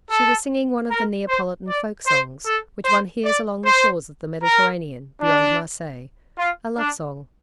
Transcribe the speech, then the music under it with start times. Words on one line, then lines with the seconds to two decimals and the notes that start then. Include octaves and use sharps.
She was singing one of the Neapolitan folk-songs which one hears along the shores of the Mediterranean beyond Marseilles--a love song.
0.10 A4
0.89 A#4
1.28 C5
1.67 D5
2.06 C5
2.45 A4
2.85 C5
3.23 D5
3.64 C5
4.42 A#4
5.20 D4
6.37 F4
6.77 D4